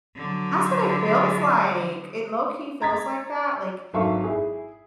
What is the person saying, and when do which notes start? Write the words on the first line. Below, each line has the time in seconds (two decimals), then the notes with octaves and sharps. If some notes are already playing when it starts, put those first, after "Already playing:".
That's what it feels like; it low key feels like that, like,
0.16 D3 F#3
2.81 A#5 G#6 A6 B6
3.93 G#1 F#3 A4 E5 F5 C#6
4.24 E4 G#4